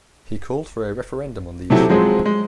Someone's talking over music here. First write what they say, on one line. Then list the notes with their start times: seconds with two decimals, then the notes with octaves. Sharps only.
He called for a referendum on the issue.
1.70 C3 F#3 E4 G4 A4
1.89 F3 F#3 G#3 C4 G#4
2.26 G#3